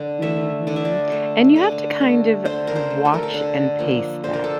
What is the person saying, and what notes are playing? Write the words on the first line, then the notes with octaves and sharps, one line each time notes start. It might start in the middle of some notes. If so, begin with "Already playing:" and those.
Mhm. And you have to kind of watch and pace that
Already playing: D3
A3 E5
D3 D5
E5
D5
A3
D3
A3
D3 C5
A#4
C5
A3
A4
A#4
A4
D3
F3 A#3
D3 C5
A#4
A4